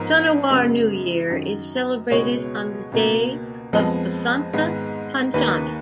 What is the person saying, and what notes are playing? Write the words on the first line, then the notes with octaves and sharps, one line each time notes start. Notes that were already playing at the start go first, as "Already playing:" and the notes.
Sunuwar New year is celebrated on the day of Basanta Panchami.
Already playing: G#2 F3 B3 A#4
F#2 C#3 G#3 B3
F#2 D#3 F#3
C#2 B2 G#3 B3 C#5
C#2 B2 A#3
F2 F3 G#3 B3
G#2 D#3 G#3 B3
D#2 D#3 A#3 B4